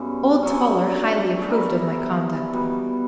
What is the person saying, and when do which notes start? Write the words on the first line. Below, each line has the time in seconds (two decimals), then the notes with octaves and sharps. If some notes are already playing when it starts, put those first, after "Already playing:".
Old Toller highly approved of my conduct.
Already playing: F#2 C#3 G3 B3
0.43 D3 F#3 C#4
1.48 G3 B3 E4 A#4
2.53 B2 G3 B3